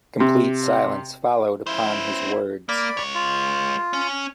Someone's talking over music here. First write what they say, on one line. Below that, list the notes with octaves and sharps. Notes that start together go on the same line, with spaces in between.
Complete silence followed upon his words.
C3
C#4 E4 C5
A#3 D5 B5
G#3 C#5
F4
C#4